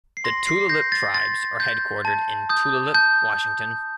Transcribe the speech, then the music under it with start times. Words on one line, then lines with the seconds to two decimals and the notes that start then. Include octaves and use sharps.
The Tulalip Tribes are headquartered in Tulalip, Washington.
0.17 C7
0.24 C6 A#6
0.47 C7
0.69 G6 A#6
0.92 A6
1.14 C6 A6
1.60 G6
2.05 A5
2.49 D#6 G6
2.94 A5 G6